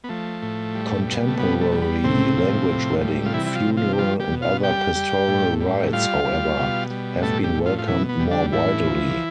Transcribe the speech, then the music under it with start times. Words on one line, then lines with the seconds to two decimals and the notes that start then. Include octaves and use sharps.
Contemporary-language wedding, funeral, and other pastoral rites, however, have been welcomed more widely.
0.04 B3
0.09 F3 A3
0.42 A2
0.75 G3
1.07 B2
1.28 A3
1.39 G3 B3
1.61 A3
1.72 G3
1.82 B3
2.04 A2 C3 C4
2.37 F3
2.69 A2
3.01 G3
3.26 F4
3.33 C3 E3 E4
3.46 E4
3.55 F3 F4
3.66 C3
3.77 F3 F4
3.93 G4
3.98 F3 G3 F4
4.20 G3 G4
4.31 B2
4.42 F4 F5
4.63 G3 G4 G5
4.95 G3
5.28 A2
5.60 G3
5.93 G3 F4 F5
6.25 G3
6.57 B2
6.90 G3
7.22 A2 A3 A4
7.44 G3 G4
7.55 A2
7.66 F3 F4
7.79 F4
7.87 B2 E3 E4
8.09 B3
8.20 G3
8.31 D3 D4
8.52 A2 E3 E4
8.85 F3